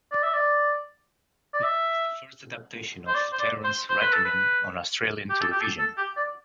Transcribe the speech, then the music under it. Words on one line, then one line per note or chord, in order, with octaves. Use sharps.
It was the first adaptation of Terence Rattigan on Australian television.
D5
E5
D5
D5
E5
C5
D5
C5
D5
C5
C5
B4
A4
B4
G4
A4
G4
A4
A4
G4
D5